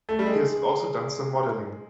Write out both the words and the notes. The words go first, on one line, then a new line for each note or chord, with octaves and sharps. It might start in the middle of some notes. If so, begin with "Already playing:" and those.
He has also done some modeling.
A3
G3
G#3